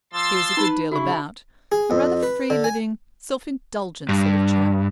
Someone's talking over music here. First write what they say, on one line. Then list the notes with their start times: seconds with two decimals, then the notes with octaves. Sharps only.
He was a good deal about--a rather free-living, self-indulgent sort of chap.
0.13 F3 C6 E6 A6
0.57 D#4 B4
0.92 C#3 E4 F#4 C#6
1.72 G#4
1.91 F2
2.23 B4
2.50 D3
2.64 G#5
4.09 G2